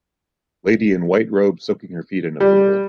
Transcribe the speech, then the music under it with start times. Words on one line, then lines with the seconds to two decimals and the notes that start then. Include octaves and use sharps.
Lady in white robe soaking her feet in a pool.
2.40 G3